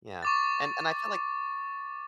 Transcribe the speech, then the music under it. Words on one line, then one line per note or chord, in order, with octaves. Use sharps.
yeah, and and I feel like
C#6 D6 A6